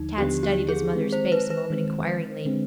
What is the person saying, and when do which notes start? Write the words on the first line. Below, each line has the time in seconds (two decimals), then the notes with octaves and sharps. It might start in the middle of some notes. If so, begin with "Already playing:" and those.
Tad studied his mother's face a moment inquiringly.
Already playing: D#2 D3 F3 D#4
0.18 D#2 D3 F3 B3 G4
0.43 G4
0.69 G#4
0.93 D#3 G#3 C4
1.12 C5
1.32 B4
1.50 B4
1.70 D#3 G#3 C4
2.45 D3 G#3 C4